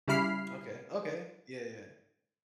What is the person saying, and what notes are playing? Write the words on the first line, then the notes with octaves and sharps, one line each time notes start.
Okay, okay. Yeah, yeah.
C#3 G3 E4 B5 F6 C7